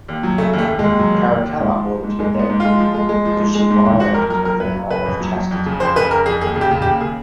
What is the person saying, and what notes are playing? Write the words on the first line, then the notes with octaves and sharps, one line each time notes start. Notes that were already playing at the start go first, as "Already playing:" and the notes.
Caracalla ordered her death, because she violated her vow of chastity.
D#2
F#3
C#3 A3
D#2
A3
D#2
D#2 G#3
F#3
D#2
D#2
D#2
G#2
F3
F3
G#2
G#2 G#3
G#2 B3
G#2
G#3 F4
F3
G#3
G#3
F3
G#2
G#3
G#2
G#2
F2 F#4
F2 A#4
F#3 A#4
F#3 A#4
F#3 B4
F#3
C#3 B4
F2
F#3
F#3
F2
C#3
F2 C5
C#3 B4
F2 A#4
F2 G#4
D#2 G#4
C#3
G4
C#3
G4
D#2
C#3 G#4